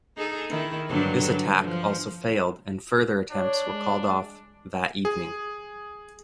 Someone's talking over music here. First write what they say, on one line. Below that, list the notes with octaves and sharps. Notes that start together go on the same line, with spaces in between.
This attack also failed and further attempts were called off that evening.
D#4 G#4 A4
D#3 E4
G2 D3 F#3
D3
F3
D4 C#5
G#3
G#4